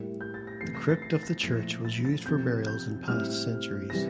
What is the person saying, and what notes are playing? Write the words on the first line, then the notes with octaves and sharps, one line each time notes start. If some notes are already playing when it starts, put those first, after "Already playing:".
The crypt of the church was used for burials in past centuries.
Already playing: A2 G3 A#3 E4
G6
A6
A#6
C3 E3 A3 E4 C7
A#6
A6
C7
A#6
A#2 F3 A3 E4 A#6
A6
A6
C3 F3 C4 G6
G6
A2 G3 C4 E4 F6
C3 E3 G3 A#6